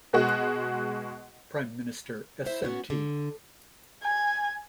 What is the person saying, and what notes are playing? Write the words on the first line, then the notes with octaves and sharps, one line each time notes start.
Prime Minister Smt.
B2 G#3 F#4
E4 C5 E5
B3 C#4 F4 F#4
D3
G#5